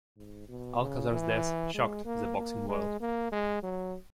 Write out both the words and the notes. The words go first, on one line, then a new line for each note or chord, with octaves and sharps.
Alcazar's death shocked the boxing world.
G#2
B2
C#3
E3
G#3
A#3
A#3
G#3
A#3
G#3
F#3